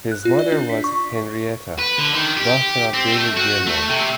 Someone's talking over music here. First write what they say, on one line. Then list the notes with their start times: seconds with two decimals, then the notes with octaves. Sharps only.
His mother was Henrietta, daughter of David Gilmour.
0.12 F#6
0.25 F4
0.39 D5
0.52 D4
0.69 B6
0.84 C#6
1.79 B4
1.98 D3
2.14 D#3
2.37 G4
2.94 C4
3.12 A3
3.37 F#4
3.66 A3
3.89 C3